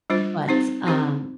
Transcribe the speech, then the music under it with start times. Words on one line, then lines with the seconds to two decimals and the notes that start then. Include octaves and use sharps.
but, um,
0.10 G3 D4 F4 C5
0.48 C4 D#4 G4 C5
0.86 C4 D#4 G4 C5